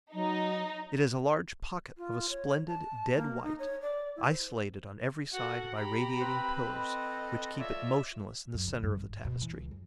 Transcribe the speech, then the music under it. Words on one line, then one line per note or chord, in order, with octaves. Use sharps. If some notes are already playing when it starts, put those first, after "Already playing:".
It is a large pocket, of a splendid dead-white, isolated on every side by radiating pillars which keep it motionless in the centre of the tapestry.
F#3 D#4
F4
C#5
A5
A#3
D#4
C#5
D5
E4
C5
F#4 A4 F#5
G4 A#5 B5
C4 B4 C5
A4 D#5
F4 C#5 D5 E5
F#2
D3
G2
G#1
B2
E3
C#2
F#2